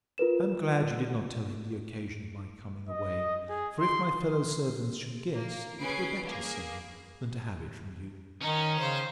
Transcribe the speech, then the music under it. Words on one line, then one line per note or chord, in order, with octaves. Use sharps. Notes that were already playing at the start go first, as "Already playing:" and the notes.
I am glad you did not tell him the occasion of my coming away; for if my fellow-servants should guess, it were better so, than to have it from you or me.
F4 A#4 B4 E7
D#5
G#4
C6
A#3
C#4 G#4 B4 C7 D7
A#3 G#4
D#3 C#4 D#4
C#3 C5